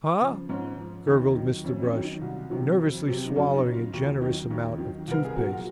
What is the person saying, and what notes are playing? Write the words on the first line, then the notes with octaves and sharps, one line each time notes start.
"Huh?" gurgled Mr. Brush, nervously swallowing a generous amount of tooth-paste.
C#3 F3
G#2 C#4
F3
D#2 D#4
D#3 F#3
F2 C#4
C#4
D#3 F#3
D#4
C2
C3 D#3 F#3
F2
C3 F#3
D#4
F#2 C#4
D#4
C#3 F#3
F4
D#2 F4
D#3 F#3 D#4
D#2 D#4
D#3 F#3
C2 A#4
G#4
A#2 F#3 F#4
F4